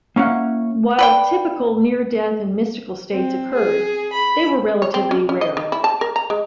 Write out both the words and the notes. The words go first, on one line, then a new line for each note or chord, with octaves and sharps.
While 'typical' near-death and mystical states occurred, they were relatively rare.
A#3 C#4 E4 F#5
B4 D5 G5
C4
G#4
B5
C#5
C4
C#4
C#4
D#5
D#3
E4
A5
A#4
A#5
G#3